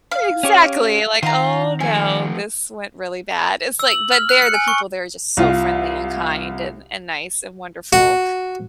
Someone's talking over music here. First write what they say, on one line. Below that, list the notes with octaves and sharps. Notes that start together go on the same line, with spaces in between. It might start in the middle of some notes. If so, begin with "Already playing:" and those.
Exactly like, "Oh, no, this went really bad." It's, like, but they're the people they are just so friendly and kind and and nice and wonderful.
F5
C#4 G4 C#5
D#3 F4 F#5 A#5
F3 A3 G#5
E6
F#7
F6
F#6
C#7
G#5
C#6
C2 F4
F#4